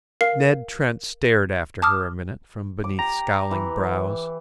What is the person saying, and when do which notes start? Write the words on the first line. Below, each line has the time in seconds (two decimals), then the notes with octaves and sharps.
Ned Trent stared after her a minute from beneath scowling brows.
0.21 A#4 F5 C7
1.82 A5 D6 D#6 F6
2.84 D6
2.99 G4 A#5
3.51 E3